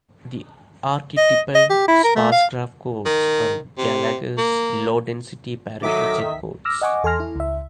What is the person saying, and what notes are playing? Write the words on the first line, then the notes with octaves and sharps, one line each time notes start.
The archetypal sparse-graph codes are Gallager's low-density parity-check codes.
D#5
D#5
G4
E4
A#4
A3
F5
D#3
C3
A#3
D#3 F#3 A4 D#5 E5 D6 B6
D6 E6 F6 A#6
D#5 F#5 G#5 C#6 D6
E2 A4 G#5 C6 F6 A#6
E4
C#2 E5